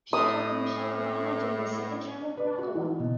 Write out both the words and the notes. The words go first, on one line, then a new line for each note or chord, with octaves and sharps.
She covered Michelle Obama during the second term of Barack Obama.
A2 D#6
B4
F#4
E3
B2